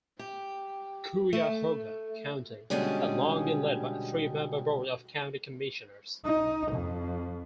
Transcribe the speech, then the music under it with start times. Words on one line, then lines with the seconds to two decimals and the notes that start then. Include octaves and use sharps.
Cuyahoga County had long been led by a three-member Board of County Commissioners.
0.19 G4
1.33 A3
2.70 B2 D3 G3 G#3 C#4 G#4
6.25 D#4
6.73 F2